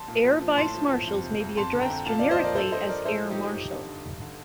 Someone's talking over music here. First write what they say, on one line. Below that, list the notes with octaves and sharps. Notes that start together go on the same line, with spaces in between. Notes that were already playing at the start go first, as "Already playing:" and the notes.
Air vice-marshals may be addressed generically as "air marshal".
Already playing: A5 C6
A#2
F3
F3
A2 A5 C6
F3
F3
F2
C3
F2
F2 A5 C6
D3
G5 A#5
F2
A#2 F5 A5
F3 D5 F5
C5 D#5
F3 A#4 D5
G2 A4 C5
F3 C5 D#5
F3 A#4 D5
A2 A4 C5
F3
D#4 G4
F3
G2
D3
G2
G2
D3